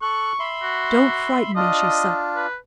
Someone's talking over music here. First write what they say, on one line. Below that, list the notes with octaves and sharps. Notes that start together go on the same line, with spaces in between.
"Don't frighten me," she said.
A4 C#6 F#6
E5 B5 C6
F#4
D4 F4 D#5
B4